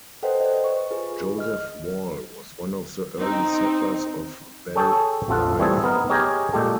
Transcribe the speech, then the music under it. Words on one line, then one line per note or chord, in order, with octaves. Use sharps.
Joseph Wall was one of the early settlers of Belle Rive.
A4 B4 C5 D#5 F#5 G5
C5 D5 D#5
B4 C#6
F4 G#4 B4
D#5 F6
C4 D#4
G#4 A4 C#5 G5 A5
A#1 F2 F4 A4 F#5
E3 G3 A3 C4 G#4 A4
B3 D#4 A#4
G4 G#4 A#4 C#5 D#5
A#2 G#3 G4 A4